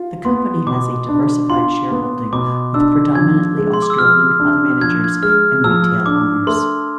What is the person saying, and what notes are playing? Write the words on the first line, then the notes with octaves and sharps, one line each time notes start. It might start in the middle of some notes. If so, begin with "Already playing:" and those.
The company has a diversified shareholding with predominantly Australian fund managers and retail owners.
Already playing: F4
B3 C6
B2 D6
D4
F4 C6
B3
B2 D6
D4 E6
F3 G#6
G#3
C6
D6
E6
F3 F6
D4
F3 G#6
G#6
G#3 F6
F3 E6
D4 D6
A3 C6